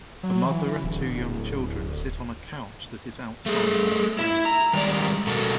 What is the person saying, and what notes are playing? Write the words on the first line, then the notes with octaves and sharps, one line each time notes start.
A mother and two young children sit on a couch that is outside on the curb.
F#3
E3
D1
A3 G#4
E4 E5
A#5
D#3 G3 G#3 D5
B2 F#4 A4 A#4